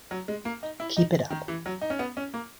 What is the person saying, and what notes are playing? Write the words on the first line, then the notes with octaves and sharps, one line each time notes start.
Keep it up!
F#3
G#3
A#3
D#4
E4
D#4
D#3
E3
F#3
D#4
C#4
B3
C#4
A#3